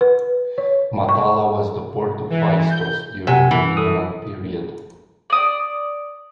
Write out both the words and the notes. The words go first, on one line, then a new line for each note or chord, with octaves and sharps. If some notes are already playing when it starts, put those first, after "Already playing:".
Matala was the port of Phaistos during the Minoan period.
B4
C#5
C#6
E3
G6
C3 F#5 G#5
E3
A4 D#6
D5 D#6